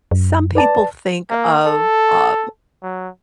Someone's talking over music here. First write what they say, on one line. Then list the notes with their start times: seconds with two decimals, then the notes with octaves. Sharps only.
some people think of, uh,
0.11 F#2
0.55 B4 D5 A5
1.30 A#3
1.66 A4
2.83 F#3